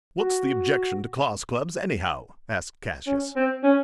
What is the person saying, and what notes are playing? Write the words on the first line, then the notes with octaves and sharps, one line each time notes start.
"What's the objection to class clubs, anyhow?" asked Cassius.
F#4
C#4
C4
C#4